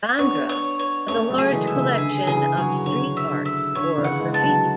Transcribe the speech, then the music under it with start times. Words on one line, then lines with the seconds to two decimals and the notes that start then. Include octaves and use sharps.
Bandra has a large collection of street art or graffiti.
0.19 B3 D4 C#5
0.49 C#5
0.79 C#5
1.08 A3 C#4 C#5
1.30 F#3 A3
1.38 G#4
1.53 E3 G#3
1.67 E5
1.75 C#3 E3
1.97 D3 G#4
2.27 C#3 E3 G#4
2.57 D3 F#3 C#5
2.86 D3 C#5
3.17 E5
3.31 D3
3.45 E5
3.75 D3 C#5
3.98 C#3 E3
4.04 F#5
4.19 E3 G#3
4.34 A5
4.42 D3 F#3